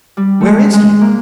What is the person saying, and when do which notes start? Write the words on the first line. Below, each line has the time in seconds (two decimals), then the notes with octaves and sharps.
Where is he?
0.17 G3
0.41 A3
0.46 G#3
0.73 G#3
1.01 A#3